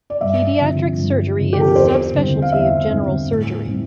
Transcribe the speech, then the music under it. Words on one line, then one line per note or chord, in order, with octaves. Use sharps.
Pediatric surgery is a subspecialty of general surgery.
D5
G2 E5
D3 F3 C4
G2
D3 F3 C4
G4
A4
A#4
E2 C5
D3 G3 C4 E4
F5
E2 E5
D3 G3 C4 E4
A2
G3 C4 E4